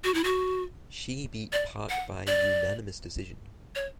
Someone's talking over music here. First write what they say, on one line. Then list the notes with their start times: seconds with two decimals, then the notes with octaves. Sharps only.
She beat Park by unanimous decision.
0.04 F#4
0.14 E4
0.24 F#4
1.53 D5
1.89 F#5
2.27 D5
3.75 C#5